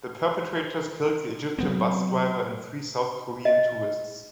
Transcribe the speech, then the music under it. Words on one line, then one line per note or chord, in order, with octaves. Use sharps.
The perpetrators killed the Egyptian bus driver and three South Korean tourists.
F#3 B3 C4
D#5